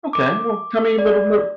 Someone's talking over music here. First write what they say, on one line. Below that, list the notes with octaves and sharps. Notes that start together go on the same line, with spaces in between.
Okay. Well, tell me a little bit
D6
D5